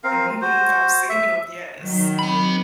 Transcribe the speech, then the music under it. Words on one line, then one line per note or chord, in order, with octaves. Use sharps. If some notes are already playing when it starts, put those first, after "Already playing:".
Mhm, I've seen them, yes.
C4 A#4 F5
F#4 C5
E5
D#3 F#3
C4 B5